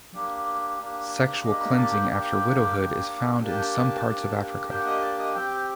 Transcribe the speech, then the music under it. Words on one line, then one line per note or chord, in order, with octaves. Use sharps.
Sexual cleansing after widowhood is found in some parts of Africa.
A#3 D4 G4
A#3 D4 G4
A#3 D4 G4 D#5
D#5
A5
G5
A#3 D4 G4 G5
A#3 D4 G4
A#3 D4 G4
A5
G5
A5
A#3 D4 G4
A#3 D4 G4 G5
F#5
D#5
D5
D#5
C4 G4 G5
G5